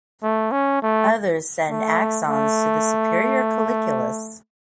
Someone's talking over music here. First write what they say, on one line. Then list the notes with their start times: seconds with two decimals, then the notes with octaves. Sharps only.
Others send axons to the superior colliculus.
0.23 A3
0.52 C#4
0.82 A3
1.70 A3
2.28 A3